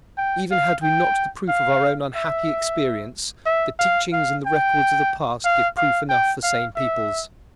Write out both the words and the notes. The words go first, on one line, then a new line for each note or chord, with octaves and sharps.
Even had we not the proof of our own unhappy experience, the teachings and the records of the past give proof enough for sane peoples.
G5
F5
G5
F5
E5
E5
F5
F5
G5
F5
F5
G5
F5
E5